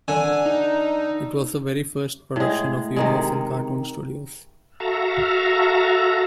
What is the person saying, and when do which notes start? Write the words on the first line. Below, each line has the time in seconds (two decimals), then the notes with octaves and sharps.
It was the very first production of Universal Cartoon Studios.
0.08 D3 G#5
0.46 D#4
2.36 A2 G#3
2.96 C3 D#3 G#3
4.80 F#4 A4 E5 F5 A#5